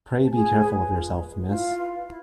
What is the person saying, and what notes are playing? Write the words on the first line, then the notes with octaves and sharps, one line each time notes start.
Pray be careful of yourself, miss.
A5
F4 G#4 G#5
B4
F4
B4
E4 F4 F5
B4
E4